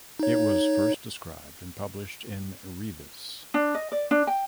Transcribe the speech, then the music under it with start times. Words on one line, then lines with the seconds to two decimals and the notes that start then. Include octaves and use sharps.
It was first described and published in Revis.
0.20 D#4 C#5
3.54 D4
3.74 D#5
3.92 D5
4.11 D4
4.27 G5